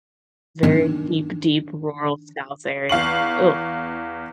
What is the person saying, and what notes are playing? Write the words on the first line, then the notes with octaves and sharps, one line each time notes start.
very deep, deep rural South area, ugh.
D#3 D4
E2 F5 C#6 F#7